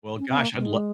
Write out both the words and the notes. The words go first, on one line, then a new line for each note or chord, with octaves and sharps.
well, gosh, I'd lo
C#4
C4
A#3
G#3